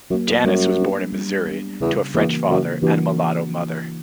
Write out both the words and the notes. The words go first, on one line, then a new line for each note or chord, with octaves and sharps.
Janis was born in Missouri to a French father and a mulatto mother.
F#2 F#3 A#3
E2
F#2 G3
B3 D4
G3
B3 D4
E2 C#3
E2 E3 A#3 D4 F#4
F#2 C#3
G2 E3 A#3 D4 F#4